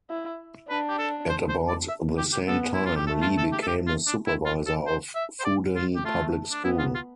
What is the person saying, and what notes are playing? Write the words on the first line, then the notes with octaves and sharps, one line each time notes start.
At about the same time, Li became a supervisor of Fudan Public School.
E4
D4 B4
G4
A4
C5
C5
D5
E5
G4
G4
B3 A4
E4
F4
G4
A3 A4
F4
A4
G4
A4
G4
F4
D4
E4
F4
A4
C5
E5
C5
D5
F4
G4
A3 F4
D4
B3 E4
F4
F4